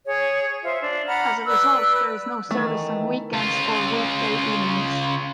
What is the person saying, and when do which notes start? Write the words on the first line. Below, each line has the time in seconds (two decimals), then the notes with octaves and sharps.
As a result, there is no service on weekends or weekday evenings.
0.06 G#4 C#5
0.64 F4 C5 E5
0.81 D4
1.07 F#5 A#5 B5 F6
1.46 B4 D5 E6 F#6
2.51 D#3 E3 A3
3.34 C#3 F4